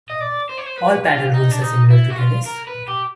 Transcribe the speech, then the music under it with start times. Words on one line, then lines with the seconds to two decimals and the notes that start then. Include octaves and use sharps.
All paddle rules are similar to tennis.
0.10 D#5
0.21 D5
0.49 C5
0.58 C#5
0.66 C5
0.78 B4
1.05 F4
1.33 D#4
1.51 D4
1.62 D#4
1.90 E4
2.10 F#4
2.18 F4
2.46 A#4
2.67 B4
2.88 G4